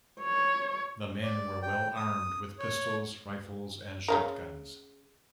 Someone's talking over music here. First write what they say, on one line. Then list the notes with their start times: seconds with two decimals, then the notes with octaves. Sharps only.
The men were well armed with pistols, rifles and shotguns.
0.20 C#5
1.24 D5
1.62 G5
1.96 D#6
2.59 C#5
4.08 C#3 G#3 A#4